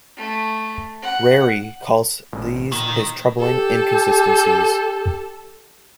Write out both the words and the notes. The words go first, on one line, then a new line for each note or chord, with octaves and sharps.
Rary calls these his troubling inconsistencies.
A3
F#5
A1
A#2 D#3
G4 A4